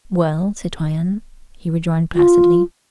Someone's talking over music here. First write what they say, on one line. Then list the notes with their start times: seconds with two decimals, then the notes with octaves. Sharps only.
"Well, citoyenne?" he rejoined placidly.
2.15 F4